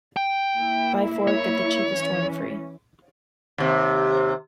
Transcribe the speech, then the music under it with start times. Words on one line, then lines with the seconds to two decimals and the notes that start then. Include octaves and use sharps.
Buy four, get the cheapest one free.
0.17 G5
0.55 A#3 E4
1.27 C#5
1.90 E3 C#4
3.58 D#2 C3